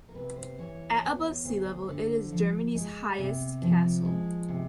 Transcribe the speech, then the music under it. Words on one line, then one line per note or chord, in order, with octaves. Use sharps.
At above sea level, it is Germany's highest castle.
A#4
C3 B4
C5
E3 C#5
E2
D2 C5
D3
F3
G#3
C3
F3
G#3
C3